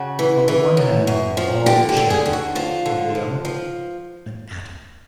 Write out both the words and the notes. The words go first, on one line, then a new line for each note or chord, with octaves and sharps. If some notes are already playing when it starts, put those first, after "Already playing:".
On the one hand, all shadow; on the other, an atom.
Already playing: C#3 F#4
E3
E3
F#2
F#2
F3
D3 G4
G4
D3
G#4
D3
F#4
F3 F4
D3
F3
F3